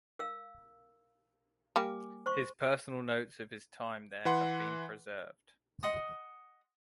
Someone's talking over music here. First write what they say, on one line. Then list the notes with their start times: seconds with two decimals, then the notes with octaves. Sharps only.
His personal notes of his time there have been preserved.
0.19 A#4 F5 E6
1.76 G3 A#3 G4 G#5 D6
2.26 C5 C6 C#6
4.25 E3 B4 F#5 C6
5.83 D#5 F#5 C6 D#6